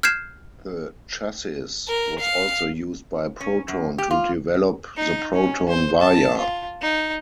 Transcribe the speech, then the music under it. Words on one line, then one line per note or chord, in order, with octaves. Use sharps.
The chassis was also used by Proton to develop the Proton Waja.
F6 G6 G#6 C7 E7
A#4
F5
C#4
F#2
G4
F4
D#4
C#4
C5
A5
F4
D#4